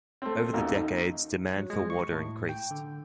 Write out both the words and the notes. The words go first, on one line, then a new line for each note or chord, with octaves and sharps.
Over the decades, demand for water increased.
A3 C4
A1 D#2 A#3 F#4 A4
D#4
F#3
G#3
C#6
A2
G5
D3